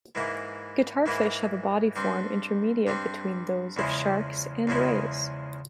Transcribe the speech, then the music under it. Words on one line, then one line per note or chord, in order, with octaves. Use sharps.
Guitarfish have a body form intermediate between those of sharks and rays.
G#2 E3 A#3 E4
G#2 E3 A#3 E4
G2 G3 C4
G2 G3 C4
E2 C#3 F3 G#3 E4
E2 C#3 F3 G#3 E4